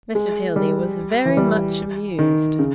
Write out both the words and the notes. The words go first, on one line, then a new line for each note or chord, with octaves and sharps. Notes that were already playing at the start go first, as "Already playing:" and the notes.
Mr. Tilney was very much amused.
G#3
G3
E3
G3
D#3
C#3